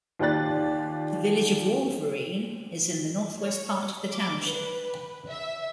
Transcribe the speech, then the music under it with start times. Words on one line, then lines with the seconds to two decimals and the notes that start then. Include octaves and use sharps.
The village of Wolverine is in the northwest part of the township.
0.19 D#2 F4 G4 D5 F#6 A6
3.41 C#5
4.12 D6
4.43 B4
5.29 E5